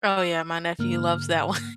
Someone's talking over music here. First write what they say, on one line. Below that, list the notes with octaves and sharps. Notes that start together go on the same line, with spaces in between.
Oh, yeah, my nephew loves that one
E6
G#2 D3 A#3 F6